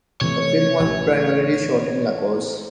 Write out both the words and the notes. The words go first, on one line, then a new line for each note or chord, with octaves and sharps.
The film was primarily shot in Lagos.
C3 E3 A3 C#5
A1